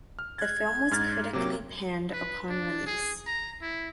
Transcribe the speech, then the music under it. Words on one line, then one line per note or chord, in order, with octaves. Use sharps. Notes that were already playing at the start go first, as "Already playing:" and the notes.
The film was critically panned upon release.
F6
F#6 G#6 A6
G#2 F6 A6
C3 F#3 A#3 D6
B4
D4
G#4
A#5
E4